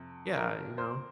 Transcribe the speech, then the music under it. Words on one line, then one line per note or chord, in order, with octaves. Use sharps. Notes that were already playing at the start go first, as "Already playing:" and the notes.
yeah, you know?
Already playing: F2 C3
A#4
C5